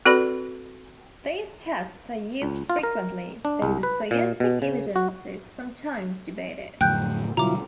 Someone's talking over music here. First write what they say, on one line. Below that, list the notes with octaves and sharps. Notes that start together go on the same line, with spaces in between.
These tests are used frequently, though the scientific evidence is sometimes debated.
C4 F#4 A4 B4 D5 B5
C#2
F4
A#4
D4
C2
B4
A#2
B2
C#3
F#4
F2 A2 D3 F#3 G5 F#6 G6
B2 D3 F#3 G3 E4 F4 A#5 D6